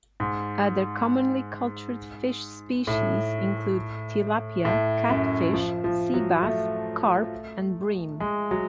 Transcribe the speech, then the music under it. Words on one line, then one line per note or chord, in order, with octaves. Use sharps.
Other commonly cultured fish species include: tilapia, catfish, sea bass, carp and bream.
G#2
A2
A2
F#2
F3
F3
F#3
A3
G#3
F#3